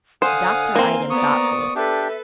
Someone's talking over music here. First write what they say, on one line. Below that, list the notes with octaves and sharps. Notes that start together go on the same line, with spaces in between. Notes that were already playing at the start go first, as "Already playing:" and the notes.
The doctor eyed him thoughtfully.
D3 C5 F5 F#5 G#5 D#6
A#3 C4
B3 D5 A#5 C#6 D#6
D4 G4 A4 B4 E5